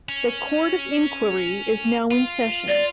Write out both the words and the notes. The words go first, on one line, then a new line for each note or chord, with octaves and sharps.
The court of inquiry is now in session!
C#4
F4
D5